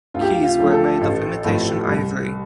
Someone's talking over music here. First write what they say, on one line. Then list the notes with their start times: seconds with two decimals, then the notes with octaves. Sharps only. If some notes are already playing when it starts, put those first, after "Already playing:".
Keys were made of imitation ivory.
0.14 D2 F4
0.21 G4
0.30 F4
0.43 F4
0.58 D3 F3 A3
0.71 A4
1.01 A1
1.44 A2 F3 A3
1.87 C2